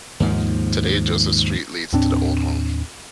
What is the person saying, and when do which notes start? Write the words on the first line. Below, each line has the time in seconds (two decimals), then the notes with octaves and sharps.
Today, Joseph Street leads to the old home.
0.20 D#2 G#2 F3
1.93 D#2 A2 C4 D4